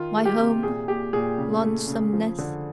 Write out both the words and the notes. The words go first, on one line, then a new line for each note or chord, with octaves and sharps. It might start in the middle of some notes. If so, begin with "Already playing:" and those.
My home, lonesomeness!
Already playing: D#3 F4
G#3
G4
C3
A#2 G#4
A#2 G4
A#2 G#4
C#3
A3
C#3
F3
D3